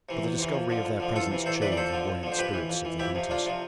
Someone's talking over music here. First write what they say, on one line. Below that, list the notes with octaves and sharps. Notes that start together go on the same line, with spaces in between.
But the discovery of their presence chilled the buoyant spirits of the hunters.
C3 E3
E2
C3 E3
F2
D3 F3
F2
D3 F3
E2 F4 A4
C3 E3
E2 A4 C5
C3 E3 B4 D5
D5
F2 A4 C5
D3 F3
F2
D3 F3
C5
F2 G4 B4
E3
F2
E3
F2 E4 G4
C3 F3
F2 D4 F4
C3 F3